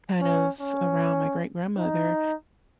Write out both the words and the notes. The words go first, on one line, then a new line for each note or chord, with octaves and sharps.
kind of around my great-grandmother,
C#4
C#4
D#4